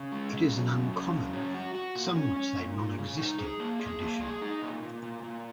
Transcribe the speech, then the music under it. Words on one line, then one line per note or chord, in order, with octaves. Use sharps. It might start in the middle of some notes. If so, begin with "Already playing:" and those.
It is an uncommon, some would say nonexistent, condition.
Already playing: C#3
G#3
C#3
F#2
F#2
C#3
F#2
C#4
F#4
F#4
A#2
C#4
C#4
A#2
A#2
C#3
D#4
G#4
A#3
G#4
A#3
G#4
D#4
A#2
A#2
A#2
A#2